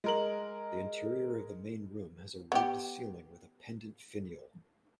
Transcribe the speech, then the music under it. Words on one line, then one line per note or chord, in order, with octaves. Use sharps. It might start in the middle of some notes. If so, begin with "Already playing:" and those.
The interior of the main room has a ribbed ceiling with a pendant finial.
G#3 A#4 F#7
B3 G4